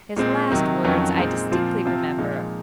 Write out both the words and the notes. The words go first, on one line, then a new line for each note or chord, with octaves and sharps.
His last words I distinctly remember.
A#2 G#3 C4
C3 D#3 F#3
F2 D#3 F#3 C#4 F4
A#2 G#3 C4 D#4
A#2 F3 C4 F4
C3 F3 C4 F4
A#2 F3 G#3 D#4